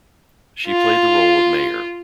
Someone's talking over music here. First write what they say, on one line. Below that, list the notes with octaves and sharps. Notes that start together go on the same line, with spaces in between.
She played the role of mayor.
F4